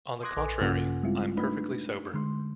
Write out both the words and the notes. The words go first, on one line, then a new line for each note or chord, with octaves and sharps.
On the contrary, I'm perfectly sober.
C6 D6 D#6 F#6 G#6 A#6
A#1 A4 B4 G#5 D6
G2 C#3 A#3 C#4 F4 F#5
G3 G#3 C4 E4 F4
A3 D4 D#4 B4 B5
D3 G#3 C6